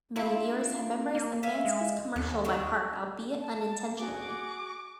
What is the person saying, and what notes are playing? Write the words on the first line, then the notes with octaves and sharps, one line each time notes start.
Many viewers have memorized Emanski's commercial by heart, albeit unintentionally.
D4 E4 F4
A#3
E5 F5 G#5
G#3
D#2 A4
F#3 D4 D#4
A5
F#4 G#4 D6